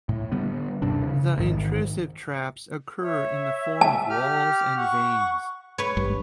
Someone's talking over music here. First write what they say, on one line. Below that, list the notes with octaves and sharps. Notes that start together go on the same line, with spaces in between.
The intrusive traps occur in the form of walls and veins.
A2
D3 G3 B3
D#1 G2 C3 D4
C#3
A1 G#2 D#3
C#5 E5
A5
G4 F6
F#5 C#6
B4 C#5
G#1 G2